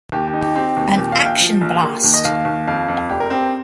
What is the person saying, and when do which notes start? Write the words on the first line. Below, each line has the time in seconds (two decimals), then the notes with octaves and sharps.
An Action Blast!
0.12 D#2 G4
0.28 G4
0.33 D#4
0.41 G4
0.55 C4 G4
0.77 D#2
0.97 A#2 G4
1.12 F5
1.18 A#1
1.26 G5
1.40 F3
1.61 A#1
1.83 A#3
2.04 D#2
2.14 D#5
2.25 D#2 F5
2.45 D#2
2.68 F2 F5
2.88 F2
3.10 F1 G4
3.20 A#4
3.30 C4 G4